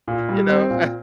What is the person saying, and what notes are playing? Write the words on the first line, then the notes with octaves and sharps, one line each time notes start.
you know. Uh
A#2
G3
C4
A#2